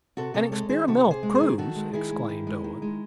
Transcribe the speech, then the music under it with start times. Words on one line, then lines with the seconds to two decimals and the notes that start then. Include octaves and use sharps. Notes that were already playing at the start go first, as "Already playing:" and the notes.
"An experimental cruise!" exclaimed Owen.
0.17 C3 F#4 A4
0.34 C3 A4 C#5
0.52 G#3 A4 C#5
0.69 D#3 G#4 C5
0.88 C3 F#4 A4
1.06 C3 G#4 C5
1.23 G#3
1.35 G#4 C5
1.41 D#3
1.58 D#3 F#4 A4
1.76 G#3
1.93 D#3 E4 G#4
2.11 G#3
2.29 D#3
2.47 G#3
2.64 D#3
2.82 G#3